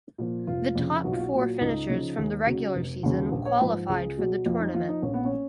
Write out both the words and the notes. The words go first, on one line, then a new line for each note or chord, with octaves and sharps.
The top four finishers from the regular season qualified for the tournament.
A#2 F3
F1 F4
F2 C#3
B1 F#4
F4
F#4
A#2 F#3
C#2 D#4
C#3 F3
D#2
C#3 F#3
F1
D#2 C#3 F#3
A#1
C#5
G#2 F3 B4
C#2 G#4
B2 F#3
F2 F4
D#4
F3 F4
D#4
A#1 C#4
B3
C#4